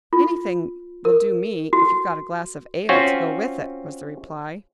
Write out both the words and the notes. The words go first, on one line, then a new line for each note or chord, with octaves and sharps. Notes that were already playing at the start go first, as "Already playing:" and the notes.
"Anything will do me, if you've got a glass of ale to go with it," was the reply.
F4
A#4
F#4
C4 C#4 F4 F#4